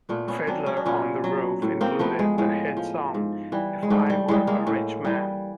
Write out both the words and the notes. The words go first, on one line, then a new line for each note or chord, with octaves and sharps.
"Fiddler on the Roof" included the hit song "If I Were a Rich Man".
A#2 A3 B3
B3 C#4
F#3 C4 D4
C#4
D4
A#2 B3 C#4
F#3
A2
A#3 C4
F3 A3 B3
G#3
A2 G#3
F3
G#2
E3 G3
G#3
G#2 G3 A3
G3
E3 G3 G#3
G#3 A#3
A2
E3 G3